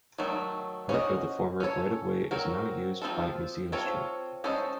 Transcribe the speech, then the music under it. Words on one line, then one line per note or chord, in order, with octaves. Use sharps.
Part of the former right-of-way is now used by Museum Street.
D#3 F#3 A3
C#4 F#4 C5 D#5
C#4 A4 C#5
F#3 C4 F#4 A#4
F3 A3 C4 F4 A4
C4 F4 A4 C#5
C#4 A4 C5 D#5